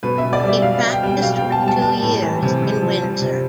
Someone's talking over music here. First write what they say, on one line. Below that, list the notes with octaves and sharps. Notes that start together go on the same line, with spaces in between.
He practised for two years in Windsor.
B2 B4
E5
B2
D5
G3 E5
B2 F5
B2
G5
G3 G5
B2 F5
B2 G5
A5
G3
A5
G3 A5
A2
E3
C3
C3
F3
G3
C3